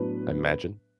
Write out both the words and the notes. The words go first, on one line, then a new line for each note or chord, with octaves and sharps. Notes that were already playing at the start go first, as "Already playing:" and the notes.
I imagine.
Already playing: A2 F#3 B3 D4 B4